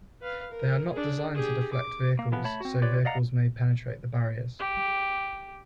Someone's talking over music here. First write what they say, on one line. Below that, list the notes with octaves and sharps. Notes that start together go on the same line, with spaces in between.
They are not designed to deflect vehicles, so vehicles may penetrate the barriers.
B4 F5
A#4
D4 G#4
G4 G#4
D6
A#3
E3 F3 B3
A3 C#5 A5 B5
C4 F#4
F4 G4 B4 C#5 D5
D5 D#5 F5 F#5 A#5
G4